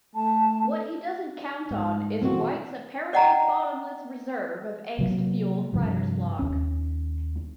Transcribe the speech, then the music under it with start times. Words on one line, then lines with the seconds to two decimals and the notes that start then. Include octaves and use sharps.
What he doesn't count on is White's apparently bottomless reserve of angst-fueled writer's block.
0.15 A3 A5
1.71 G#2
2.22 B2 E3 A#3 C4 F#4
3.13 D5 D#5 F#5 G5 A#5
4.98 C3 F#3 A#3
5.73 G2 C3 F3 G3
6.39 D#2 C#4